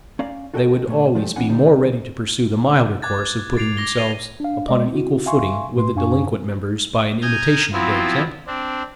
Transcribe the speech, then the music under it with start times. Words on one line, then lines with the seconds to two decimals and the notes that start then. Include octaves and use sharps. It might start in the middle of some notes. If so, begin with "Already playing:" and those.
They would always be more ready to pursue the milder course of putting themselves upon an equal footing with the delinquent members by an imitation of their example.
0.19 C#4 D5 F5 A#5
0.54 F4 F#4 A4 A#4 D#5 G5
0.87 A#2 A3 C#5
1.15 F3 G#3 A3 G4
1.36 C#2 E3 C4 D4 F#5 G#5
1.49 D3 G3 D#4 C5
3.02 D6 F#6 G#6 A6
3.57 A6 C7 D7 F7
3.77 D6 A#6 G7
3.98 A6 C7 D#7 F7 G7
4.40 D4 F5
4.68 G#3 D5 D#5 D6
4.91 C4 E4 F#4
5.26 E5 F5 G#5 C6 C#6
5.76 A2 A3 B4 C6
5.95 F#2 D4 F5 G#5 C#6
7.22 G#5 A#5 D#6 F6 G6 G#6
7.73 F3 F#3 B3 C4 E4 F4
8.47 C4 D4